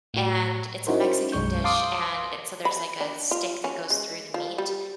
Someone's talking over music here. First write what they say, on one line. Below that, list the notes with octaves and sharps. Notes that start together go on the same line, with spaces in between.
and it's a Mexican dish, and it so there's, like, a stick that goes through the meat,
A2 F#4
C#4 D#4 E4 F#4 A#4 C5
B1 F#2 G#3 C#6 G6
F5 A5 C6 D6 D#6
B5
D4
F4
C#4
G#3
F3
G3